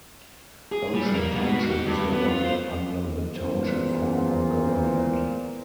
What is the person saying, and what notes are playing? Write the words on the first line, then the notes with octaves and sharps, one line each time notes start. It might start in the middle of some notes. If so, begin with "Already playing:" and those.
Ocean Township is governed under the Township form of government.
G#4
G3
A#3
B2
F#4
G4
G2
B3
F4
C5
E2 A#2 C5